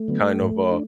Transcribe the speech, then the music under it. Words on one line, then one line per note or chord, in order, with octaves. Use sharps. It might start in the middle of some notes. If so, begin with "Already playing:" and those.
kind of, uh,
Already playing: A3
D3 F#3 B3
G#2
D4